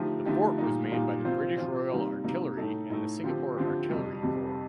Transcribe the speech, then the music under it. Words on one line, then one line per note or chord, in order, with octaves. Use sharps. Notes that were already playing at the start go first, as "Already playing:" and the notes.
The fort was manned by the British Royal Artillery and the Singapore Artillery Corps.
Already playing: D3 F3 A3 D#4 G4
D3 F3 A3 D#4 G4
A#2 G3 A#3 D#4
A#2 G3 A#3 D#4
C3 F3 C4 F4 C5
C3 F3 C4 F4 C5
C3 G3 A#3 D#4
C3 G3 A#3 D#4
A2 A3 D#4 A4
A2 A3 D#4 A4
D3 F3 C4 G4
D3 F3 C4 G4
F2 C3 G3
F2 C3 G3